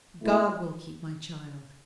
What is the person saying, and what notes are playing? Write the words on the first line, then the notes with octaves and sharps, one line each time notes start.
'God will keep my child.'
B2 A3 E4